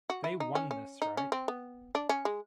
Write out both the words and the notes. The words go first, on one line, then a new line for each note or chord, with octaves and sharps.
They won this right.
F#4
E4
D#4
C#4
C#4
D#4
C#4
C4
B3
D4
C#4
G#3